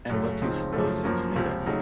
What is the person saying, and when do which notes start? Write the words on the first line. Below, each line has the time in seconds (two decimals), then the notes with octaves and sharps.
And what do you suppose it's made of?
0.10 F#2 C#3 A3
0.41 C#2 C#3 F3 C4 D#4
0.72 F#2 C#3 F3 A3
1.04 F#2 F3 A#3 C#4
1.36 C#2 C3 F3
1.66 C#3 F#3 A3 D#4